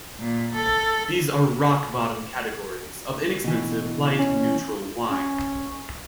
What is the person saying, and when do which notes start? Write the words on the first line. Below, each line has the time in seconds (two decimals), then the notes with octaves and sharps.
These are rock bottom categories of inexpensive, light, neutral wine.
0.20 A#2
0.54 A4
3.44 B2 E3
4.18 C#4
5.10 C#4